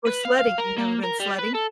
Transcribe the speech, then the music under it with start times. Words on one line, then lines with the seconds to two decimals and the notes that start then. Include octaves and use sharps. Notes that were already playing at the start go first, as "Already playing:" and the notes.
Or sledding. You never been sledding?
0.07 B4
0.25 F5
0.39 F5
0.58 A#4
0.78 A#3
1.04 A#4
1.20 G3
1.39 B4
1.55 A4